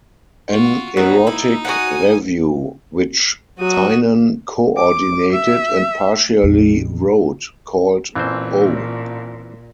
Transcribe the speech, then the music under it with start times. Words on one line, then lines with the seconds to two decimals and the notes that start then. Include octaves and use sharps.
An erotic revue which Tynan co-ordinated and partially wrote, called Oh!
0.49 F4 F#4
0.97 F#3 B3 D#4 F#4
1.27 E4
1.65 F#4 F#5 G#5 D#6
3.59 F#3 F#4 D#6
4.77 D6
5.32 E5
6.42 A#1 F2
8.15 A1 A#2 E3 C4 C5